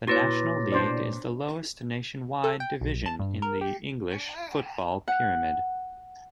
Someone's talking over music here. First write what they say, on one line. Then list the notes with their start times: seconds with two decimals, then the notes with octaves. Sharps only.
The National League is the lowest nationwide division in the English football pyramid.
0.07 A#2 E4 F#4 B4 C#5 A6 A#6
0.72 D4 C5 D5
2.44 A4
2.60 G5
2.81 B1
3.06 A5
3.19 G2
3.42 A#4
3.61 G4
5.08 F#5